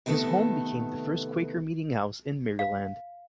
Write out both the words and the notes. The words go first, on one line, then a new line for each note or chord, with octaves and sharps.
His home became the first Quaker meeting house in Maryland.
C3 D#3 A3 B3 A4
F5